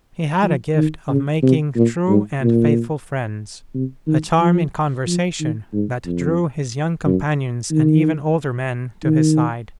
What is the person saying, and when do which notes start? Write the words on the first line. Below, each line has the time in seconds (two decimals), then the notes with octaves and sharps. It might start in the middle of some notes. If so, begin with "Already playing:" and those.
He had a gift of making true and faithful friends, a charm in conversation that drew his young companions and even older men to his side.
0.43 F3
0.76 D#3
1.09 C#3
1.43 C3
1.75 A#2
2.08 G#2
2.42 A#2
3.74 C3
4.07 D#3
4.40 F3
5.07 F3
5.40 D#3
5.73 G#2
6.06 F2
7.06 F#2
7.71 D#3
9.04 D#3